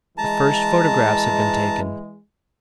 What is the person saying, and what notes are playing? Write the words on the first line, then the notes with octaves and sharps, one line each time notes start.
The first photographs had been taken.
E3 G#3 A5 A#5